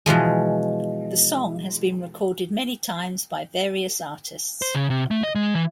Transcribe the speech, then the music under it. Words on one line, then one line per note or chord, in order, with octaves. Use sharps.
The song has been recorded many times by various artists.
B2 E3 F3 G#3
C5
C#3
C3
A3
D#5
G#3
E3